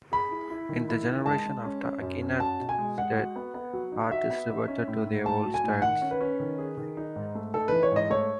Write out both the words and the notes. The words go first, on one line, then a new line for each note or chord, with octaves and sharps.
In the generation after Akhenaten's death, artists reverted to their old styles.
G#4 B5
E4
E4
D#3
E4
D#3
G#3 A5
G#3
C#4
C#4
F#2
C#4
F#4 A5
B2
G#5
G#3
G#3 F#5
F#4
B3
B3
F#3
D#4
F#4 E5
B3
D#4
C#4
A2
A2
A2 A5
F#3
G#5
A2
D#3 F#5
C#4
B4
C#4
D#3
G#4
D#3
D#4
G#2
A3
D#4 A4
E3 B4
C#5
G#2 D#5
A3 C#5